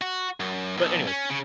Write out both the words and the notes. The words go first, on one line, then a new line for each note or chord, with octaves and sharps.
but anyways,
F#4
F#2
B1
C#4
C#3